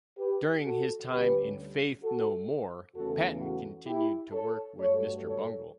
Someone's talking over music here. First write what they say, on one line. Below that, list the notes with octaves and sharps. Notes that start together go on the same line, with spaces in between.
During his time in Faith No More, Patton continued to work with Mr. Bungle.
G4 B4
F#4 A4
D2 D3 G3 C#4 G4 B4
F#4 A4
E2 C#3 E3 A3 C#4 F#4 A4
F#4
E4 G4
A4 C#5
G2 F#3 A3 A4 C#5
A4 C#5